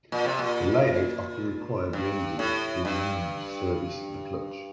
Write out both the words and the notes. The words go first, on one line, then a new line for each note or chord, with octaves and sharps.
The layout often required the engine be removed to service the clutch.
A#2
C3
A#2
G2
A2
G2